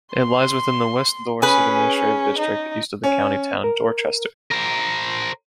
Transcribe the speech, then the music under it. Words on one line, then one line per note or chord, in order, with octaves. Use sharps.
It lies within the West Dorset administrative district, east of the county town Dorchester.
C6
C#4 G#4 B4
D#4
C#4
A#4
A#4 C5